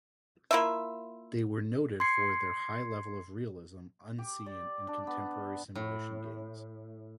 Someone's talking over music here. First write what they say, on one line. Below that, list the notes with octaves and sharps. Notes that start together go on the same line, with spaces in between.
They were noted for their high level of realism unseen in contemporary simulation games.
A#3 E4 F4 E5
C6 G#6 C7 C#7
G4
D5
D4
B3
A2